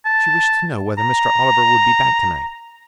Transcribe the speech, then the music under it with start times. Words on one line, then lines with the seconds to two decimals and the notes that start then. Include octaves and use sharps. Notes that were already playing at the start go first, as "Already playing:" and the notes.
"She wished to know whether Mr. Oliver would be back to-night."
0.05 A5
0.98 A#5